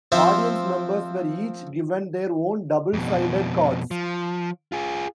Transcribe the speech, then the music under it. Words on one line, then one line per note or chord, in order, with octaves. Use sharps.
Audience members were each given their own double-sided cards.
F3 C4 C5 E5
F2 B2
F3
F4 G#4